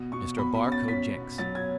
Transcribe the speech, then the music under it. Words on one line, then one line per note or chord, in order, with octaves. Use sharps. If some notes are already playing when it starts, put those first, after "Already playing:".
Mr. Barcoe Jenks.
Already playing: B2
B2 C#6
B2 B5
B5
C#4
A6
C#4 B6
B2
F#3 A6
G#6